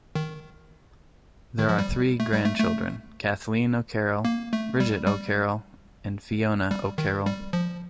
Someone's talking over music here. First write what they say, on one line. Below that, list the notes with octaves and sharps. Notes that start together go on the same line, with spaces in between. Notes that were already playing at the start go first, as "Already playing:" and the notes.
There are three grand children, Kathleen O'Carroll, Bridget O'Carroll and Fiona O'Carroll.
D#3
D#3
F3
G3
A3
G3
A3
A3
A#3
A3
G3
G3
G3
D#3
G3
F3